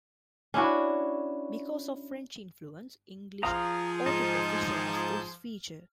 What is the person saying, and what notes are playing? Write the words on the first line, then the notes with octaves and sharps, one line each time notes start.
Because of French influence, English orthography shares this feature.
C#4 D4 E4 F#4
F3 G#4 F5 A#5 D#6 F6
G#2 D#4 A5 G6